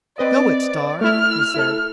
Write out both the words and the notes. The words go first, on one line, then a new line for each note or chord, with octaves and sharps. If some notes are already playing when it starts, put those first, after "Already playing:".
"Go it, Star!" he said.
C4 B4 D5 D#5
A3 E4 F6
E4 A4